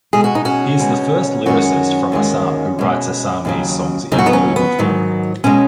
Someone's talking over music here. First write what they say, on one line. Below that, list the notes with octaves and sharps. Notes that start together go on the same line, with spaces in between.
He is the first lyricist from Assam who writes Assamese songs in Bollywood film.
B2 G#3 G#4
F#4
D#4
C#4 F#4
B2 G#3
F#2 D#3 G#3 C#4 F#4
D#2 D#3 G#3
B2 G#3
D#2 C#3 F#3
D#2 C#3 F#3 D#4
F#4
B3 D#4
C#4
B3
G#2 D#3 F#3
B2 G#3 C#4